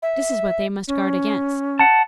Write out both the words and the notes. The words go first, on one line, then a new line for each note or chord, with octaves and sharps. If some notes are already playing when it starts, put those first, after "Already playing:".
This is what they must guard against.
E5
C#4
F#5 A5